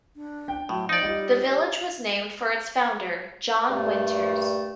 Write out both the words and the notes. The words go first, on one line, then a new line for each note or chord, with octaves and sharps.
The village was named for its founder, John Winters.
D4
G5
A2 F#3
F3 D#4 D5
G3 F4 D#5
G4
G2 A#2 A3